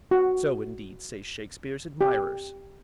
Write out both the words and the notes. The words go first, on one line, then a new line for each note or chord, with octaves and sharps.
So, indeed, say Shakespeare's admirers.
F#4
G4